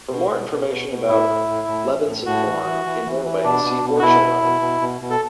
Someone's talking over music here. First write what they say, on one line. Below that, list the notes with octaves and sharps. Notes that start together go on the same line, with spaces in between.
For more information about "Lebensborn" in Norway, see war children.
B2
B2
B2
B2
B2
A2 E4
A2
A2
A2
E3
A2
A2 F#4
E3
E3
E3
E3
E3
B2 D4
B2
B2
F#4
B2 E4
B2
B2
B2
B2
B2
A4